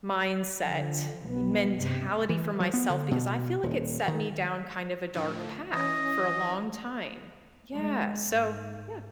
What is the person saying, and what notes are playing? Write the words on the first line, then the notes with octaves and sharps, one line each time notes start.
mindset, y mentality for myself, because I feel like it set me down kind of a dark path for a long time. Yeah, so Yeah.
D3 F3
B1 B3
G2 C3
E3
F#3
B3
D3
B2
D#1
D#3
A2 D3 F3
E3 C#4 D#5
G#3
G#2